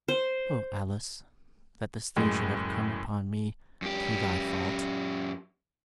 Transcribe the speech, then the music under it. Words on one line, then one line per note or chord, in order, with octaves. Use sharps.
"Oh, Alice! that this thing should have come upon me through thy fault!"
C5
F#1 A2 G#3
F#2 G4